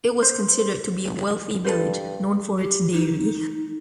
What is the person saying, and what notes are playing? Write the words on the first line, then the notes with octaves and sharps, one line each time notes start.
It was considered to be a wealthy village, known for its dairy.
C5
G2 A4 B4 C5
G4
D#4